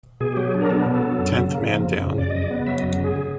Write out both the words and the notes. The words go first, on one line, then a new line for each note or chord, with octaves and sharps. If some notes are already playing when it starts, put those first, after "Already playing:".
Tenth Man Down.
B2 G#4
F#3 G4
G#4
D4
A#4
B3 A4
B2
A4
F#3
F#2
C#3
A#3
F3
F#2
C#3
F#2 D5
C#3 D#5
D5
B3
F#3 E5
D#5
F#2
C#3 G#4
C#3